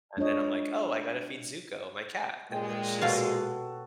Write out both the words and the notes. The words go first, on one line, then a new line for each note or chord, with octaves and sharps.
And then I'm, like, "Oh, I gotta feed Zuko", my cat, and then it's just
G#3 D4 F4 C#5 D#5
A#2 G#3 G5
B2 F4 F#4 A4 C#5 F5